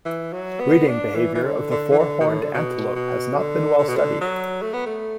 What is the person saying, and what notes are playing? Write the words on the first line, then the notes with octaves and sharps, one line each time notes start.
Breeding behaviour of the four-horned antelope has not been well studied.
E3
F#3
B3
D4
E3
E3
D3
D3
E3
D3
B2
A2
D3
B2
B2
D3
D3
B2
D3
F#3
A3
B3
A3